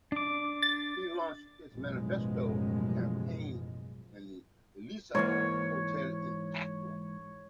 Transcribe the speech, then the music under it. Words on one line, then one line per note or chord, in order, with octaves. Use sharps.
He launched his manifesto and campaign at the Alisa Hotel in Accra.
D4 D6
A6
A1 F#2 B2 F3 G#3
G#2 E3 A#3 C#5